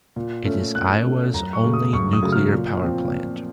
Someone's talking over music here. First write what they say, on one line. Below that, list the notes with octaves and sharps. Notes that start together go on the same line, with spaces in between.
It is Iowa's only nuclear power plant.
A#2
A3 C#4
A#2 F#6
A3 C#4
F#2 A#5
C#6
C#3 F#3 A3
D#6
F#2 C#6
D#6
C#3 F#3 A3
F6
A#2
F3 C4
A#2